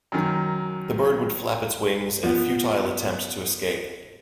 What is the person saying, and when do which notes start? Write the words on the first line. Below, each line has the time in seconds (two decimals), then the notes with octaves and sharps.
The bird would flap its wings in a futile attempt to escape.
0.12 F#2 D#3
2.23 F3 B3